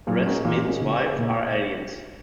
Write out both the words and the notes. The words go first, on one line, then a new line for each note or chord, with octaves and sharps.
The rest men's wives are aliens.
A#2 F#3
G#3 C#4 F#4 A#4
A#2 E3
G#3 C#4 F#4 A#4
C#3 A#3
E4 G#4 B4
A#2 A#3